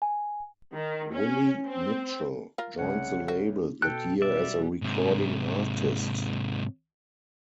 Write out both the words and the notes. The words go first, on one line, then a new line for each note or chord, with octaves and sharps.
Willie Mitchell joined the label that year as a recording artist.
G#5
D#3
C#4
C4
F4 A#4
C2 C#3 C#4 F#5
F#4
B2 A4 G5 F#6
B2 F#3 G3 D5 E5
G#2 C3